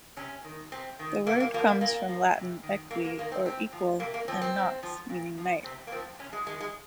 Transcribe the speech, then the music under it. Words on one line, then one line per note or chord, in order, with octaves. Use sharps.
The word comes from Latin "equi" or "equal" and "nox" meaning "night".
C3 C#4
D#3
C3 C4
D#3
C3 A#3
A#3
F3 A#3
A#3
A#2 A#3
F3
C3
D#3
C3 A#3
A#3
D#3 A#3
C4
C3 C4
F3
C3 A#3
A#3
F3 C4
C4
A#2
F3
A#2
F3
C3 C4
A#3
F3 C4
C3 C#4
G#3
D#3 G#3
G#3